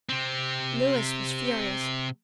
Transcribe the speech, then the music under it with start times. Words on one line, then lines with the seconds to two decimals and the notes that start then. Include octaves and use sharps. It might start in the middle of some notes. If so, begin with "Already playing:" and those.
Louis was furious.
0.09 C3 C4